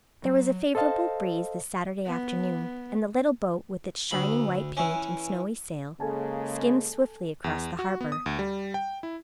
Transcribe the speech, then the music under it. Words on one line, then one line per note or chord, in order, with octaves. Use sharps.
There was a favorable breeze this Saturday afternoon, and the little boat, with its shining white paint and snowy sail, skimmed swiftly across the harbor.
F#3
A4 C5 D#5 F5 A5
B3
D2 B5
E3 C#4
C#3 G#3 A#3 A4 G#5 A5
E2
F#4
B3
D#6
D2
G3
G5
E4